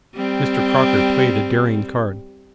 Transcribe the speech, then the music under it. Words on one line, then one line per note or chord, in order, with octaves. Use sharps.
Mr. Crocker played a daring card.
G3 C4